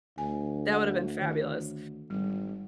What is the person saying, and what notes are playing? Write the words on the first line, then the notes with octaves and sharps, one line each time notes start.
That would have been fabulous.
D2 G#5
F#5
D#3
G#1 G3